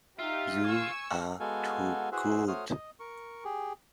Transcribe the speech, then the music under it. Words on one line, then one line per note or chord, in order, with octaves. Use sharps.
You are too good.
D#4 F4 G4 E5 F5
G#5 C#6 E6
G#3 B3 F#4 A4 F5 G#5
E4 F#4 G#4 B4 C5 E5
A3 F#4 C5 C#5 D#6 F6
D#5
A#4 C#6
G4 G#4